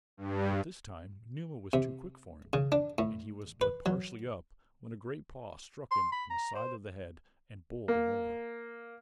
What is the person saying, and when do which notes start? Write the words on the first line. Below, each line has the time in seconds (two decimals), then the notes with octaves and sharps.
But this time Numa was too quick for him and he was but partially up when a great paw struck him on the side of the head and bowled him over.
0.17 G2
1.73 C3
2.53 C#3
2.72 D4
2.98 A2
3.61 B4
3.86 F#3
5.91 C6
6.12 B5
6.30 A#5
6.55 C5
7.88 A#3